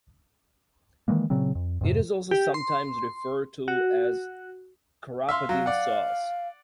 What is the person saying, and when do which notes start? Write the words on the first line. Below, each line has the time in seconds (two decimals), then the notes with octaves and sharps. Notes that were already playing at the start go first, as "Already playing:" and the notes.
It is also sometimes referred to as "crapaudine sauce".
1.08 D#3 E3 G#3 A#3
1.30 A#2 C#3 F#3 C4
1.55 F2
1.81 F2 G#2 C3
2.31 G4
2.54 C6
3.68 F#4
5.29 E5 F5 C6
5.49 F#3 F5
5.66 D5 F#5